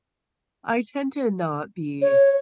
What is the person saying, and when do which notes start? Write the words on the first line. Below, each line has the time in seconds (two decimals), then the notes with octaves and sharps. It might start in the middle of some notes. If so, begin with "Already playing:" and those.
I tend to not be
2.02 C#5